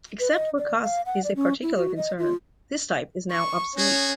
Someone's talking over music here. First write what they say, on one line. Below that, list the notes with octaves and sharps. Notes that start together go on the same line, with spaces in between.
Except where cost is a particular concern, this type is now obsolete.
B4
D#5
D5
F5
F#5
D5
C#4
E4
F#4
D#5
F4
C#6
C#4 D#4 F#4 G#4